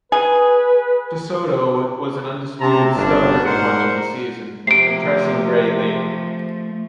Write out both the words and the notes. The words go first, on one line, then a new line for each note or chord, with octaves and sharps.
Pessotto was an undisputed starter for much of the season, impressing greatly.
G#4 B4
C3 C4 A5 A#5
G1 C#4 D4
G#2 A#4 C5 F#5
C3 F3 A3 A#5 C7 D7